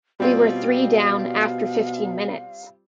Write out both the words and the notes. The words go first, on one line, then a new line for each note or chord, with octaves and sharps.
We were three down after fifteen minutes.
B2 G3 C4 F4 F5